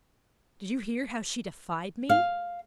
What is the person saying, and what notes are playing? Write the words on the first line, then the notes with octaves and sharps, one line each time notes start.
Did you hear how she defied me?
F5